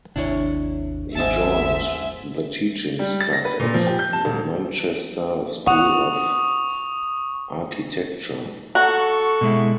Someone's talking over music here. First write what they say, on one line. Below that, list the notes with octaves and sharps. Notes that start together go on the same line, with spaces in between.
He joined the teaching staff at the Manchester School of Architecture.
G#1 D#2 C3 D4 E4 C#5
G#1 D#2 G#2 E5 A5
G3
A6
A#6
B4
A#2
F3
G4
G6
A5
D#1
F#5 C#6 D#6 F7
F#4 A4 F#5 A#5 C#6
B2 G#3 E4